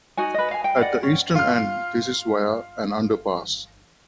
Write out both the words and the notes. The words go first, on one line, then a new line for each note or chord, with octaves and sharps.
At the eastern end this is via an underpass.
D#4 F#4 G#5
B4 D#5
F5 G#5
G5
D5 D#5 F#5
C#4
F4 F5 F6